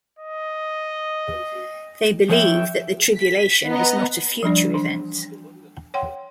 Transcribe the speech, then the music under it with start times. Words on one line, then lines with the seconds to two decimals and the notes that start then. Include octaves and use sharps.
They believe that the tribulation is not a future event.
0.19 D#5
2.29 F3 C#5 E5 G5
3.17 B6
3.67 B3 D#5 A#5
4.43 F3 G3 D4 D5
4.74 E3 D4
5.94 C#5 F#5 G5 C6